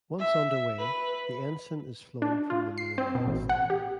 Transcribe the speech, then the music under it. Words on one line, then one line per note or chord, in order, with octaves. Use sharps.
Once under way, the ensign is flown from the main mast.
E5
B4
D4
F4
C7
C4
B2
A1
F#5
G4